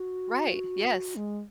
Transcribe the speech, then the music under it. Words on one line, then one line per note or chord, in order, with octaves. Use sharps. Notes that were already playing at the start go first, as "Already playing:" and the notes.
Right, yes.
Already playing: F#4
G#3